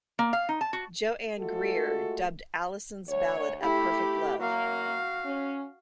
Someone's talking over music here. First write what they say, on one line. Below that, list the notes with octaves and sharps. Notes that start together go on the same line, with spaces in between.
Jo Ann Greer dubbed Allyson's ballad "A Perfect Love".
A#3
F5
D#4
A5
F#4
G#3 A3 F4 F#4 G#4 A4
D2 C#5
A3 E4 G4 B5
F#2 A#3 F#4 F5
C#4